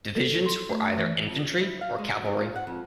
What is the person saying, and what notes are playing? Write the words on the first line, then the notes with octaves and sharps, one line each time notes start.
Divisions were either infantry or cavalry.
A4
C6
A3
E3
F2
G#4
E4
F5
G#3
F#4
D#4
F4
F#5
F2